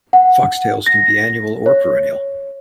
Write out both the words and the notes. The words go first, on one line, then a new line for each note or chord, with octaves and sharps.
Foxtails can be annual or perennial.
F#5
A#6
C#5